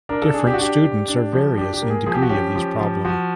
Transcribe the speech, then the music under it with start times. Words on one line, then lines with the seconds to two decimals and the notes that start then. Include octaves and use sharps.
Different students are various in degree of these problem.
0.09 D4 A#4
0.22 A4
0.34 D4 G#4
0.47 G4
0.54 F#4
0.59 D4 G4
0.83 D4
1.08 D4
1.32 F3
1.58 D4 G4
1.73 G4
1.82 A#3
1.90 G#4
2.06 F3 G#4
2.15 G4
2.22 F#4
2.29 C#4 G4
2.55 F3
2.81 F3
3.05 F3 F#4